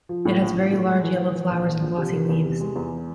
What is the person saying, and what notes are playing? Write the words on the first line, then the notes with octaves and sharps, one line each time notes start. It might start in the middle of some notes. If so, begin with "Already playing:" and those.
It has very large yellow flowers and glossy leaves.
F3
A2
A#1
A#1
A2
G#3
E3
E3
E3
A#1
A#1
A#1
C3
D#3
E2
C3
G#3
E2